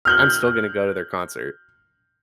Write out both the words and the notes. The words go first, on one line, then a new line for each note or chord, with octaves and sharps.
I'm still gonna go to their concert."
F6 G6 F#7